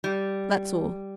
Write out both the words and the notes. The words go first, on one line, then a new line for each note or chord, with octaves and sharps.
That's all.'
G3